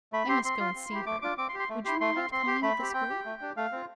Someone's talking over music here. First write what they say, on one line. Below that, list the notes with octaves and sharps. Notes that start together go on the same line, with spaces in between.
I must go and see her; would you mind calling at the school?'
A3 B5
C4 G4 C6
C4 C6
F4
C4
E4 G4
A3 D6
D4 F4 D6
C4 D6
C6
G4
C6
A3
E4 G4 C6
A3 C6
C4 F4
C4 C6
G4
A3 B5
C4 G4
C4 G5
G4
A3
D4 G4
A3 F5
C4 F4